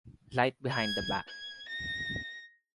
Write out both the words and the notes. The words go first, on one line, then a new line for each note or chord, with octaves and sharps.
Light Behind The Back.
G#6
G#6
A#6